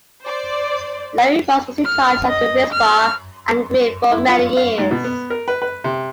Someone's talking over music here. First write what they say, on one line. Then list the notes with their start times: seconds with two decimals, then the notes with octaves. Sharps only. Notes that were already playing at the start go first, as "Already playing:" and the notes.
Laurie Ross was in charge of the Ritz Bar and Grill for many years.
0.22 C5 D5
1.86 F6
2.29 D#5
2.72 F6
4.11 E4
4.27 F4
4.57 F5
4.78 G#2
4.91 B2
5.04 B3
5.30 A#4
5.48 B4
5.62 B4
5.84 C3